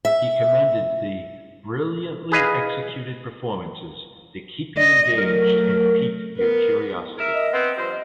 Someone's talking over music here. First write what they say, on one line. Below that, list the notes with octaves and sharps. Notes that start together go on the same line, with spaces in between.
He commended the "brilliantly executed performances that keep you engaged and peak your curiosity".
E5
G#4 B4 D#5 F5
D5 D#5
F#3 A3 A#4
B3 A#4
A#4 E5
D#5
B3 C4
G2 F3 C5